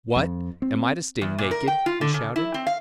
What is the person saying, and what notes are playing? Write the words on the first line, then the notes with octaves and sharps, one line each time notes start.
"What, am I to stay naked?" he shouted.
F2
C4
E2
A#2
A#4
G5
F4
D3
C#3
E4
C4
F5